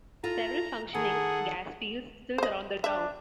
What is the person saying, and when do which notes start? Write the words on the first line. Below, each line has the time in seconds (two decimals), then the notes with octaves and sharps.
Several functioning gas fields still surround the town.
0.23 E4 F4 A4 A#5
0.94 D#3 G#4 A4 F#5
2.38 C5 D#5
2.84 D4 E5